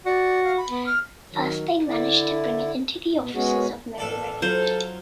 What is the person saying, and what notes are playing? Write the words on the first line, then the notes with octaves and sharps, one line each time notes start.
First, they managed to bring it into the offices of Miri Regev.
F#4 D5
F5
B5
B3
F6
D#3 F#3
D3 E4 D5
B2 B3
G#3 B3 C#4 F#4 G#4
A1 A4 D5
F#3 F4 A4 C5